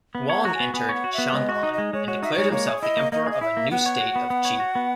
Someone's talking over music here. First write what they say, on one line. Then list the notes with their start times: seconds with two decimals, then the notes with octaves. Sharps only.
Huang entered Chang'an and declared himself the emperor of a new state of Qi.
0.15 B3
0.30 C#5 F#5
0.45 F#4 A#5
0.54 G#5
0.60 B3
0.74 B3 G#5
0.89 C#5
0.95 F#5
1.04 F#4
1.14 B3 E5
1.33 G#3 D#5
1.49 F#4
1.54 D#5
1.63 D#4
1.74 G#3 D#5
1.93 G#3 C#5
2.08 F#4 C#5
2.23 D#4 E5
2.33 D#5
2.38 G#3 C#5
2.52 A#3 C#5
2.68 G#4
2.82 E4 D#5
2.97 A#3
3.12 A#3 D#5
3.26 G#4 D#5
3.41 E4 E5
3.57 A#3
3.71 B3 F#5
3.86 C#5
4.00 F#4
4.16 B3
4.30 B3
4.45 C#5
4.60 F#4
4.75 B3